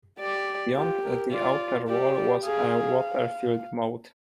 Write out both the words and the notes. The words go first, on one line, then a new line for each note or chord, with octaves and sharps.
Beyond the outer wall was a water-filled moat.
G4 D5
F4 G4
A#4
F4 D5
G4 D5
D5
G#4 F5